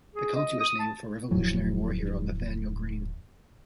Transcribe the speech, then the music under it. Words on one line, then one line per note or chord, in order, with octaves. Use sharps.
The county was named for Revolutionary War hero Nathanael Greene.
G#4
D#5
D#6
A5
D1 F2 E3 F#3